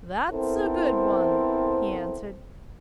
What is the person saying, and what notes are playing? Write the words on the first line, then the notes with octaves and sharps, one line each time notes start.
'That's a good one,' he answered.
B3 C4 E4 A4 A#4 C5